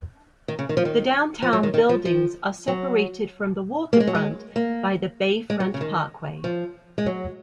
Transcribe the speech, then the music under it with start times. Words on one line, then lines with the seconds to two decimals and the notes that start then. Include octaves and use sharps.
The downtown buildings are separated from the waterfront by the Bayfront Parkway.
0.48 D#3
0.59 C#3
0.69 D#3
0.77 F3
0.85 D#3
1.42 F3
1.53 F#3
1.63 D#3
1.74 D#3
1.89 F3
2.05 F3
2.68 F#3
3.93 A#3
4.00 G#3
4.07 F#3
4.15 G#3
4.56 A#3
5.50 G#3
5.60 F#3
5.74 C#3
5.81 D#3
6.44 F3
6.98 G#3
7.06 F#3